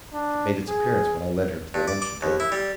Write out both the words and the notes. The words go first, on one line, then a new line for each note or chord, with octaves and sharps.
It made its appearance when I led her to the luncheon table.
D4
G#4
G2
D5
D6
D#2
E4
G3